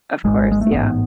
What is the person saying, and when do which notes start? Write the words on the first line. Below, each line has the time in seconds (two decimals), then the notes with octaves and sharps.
Of course, yeah.
0.24 G#1 G#2 G#3
0.52 G#3
0.61 A3
0.71 A1 G#2 B3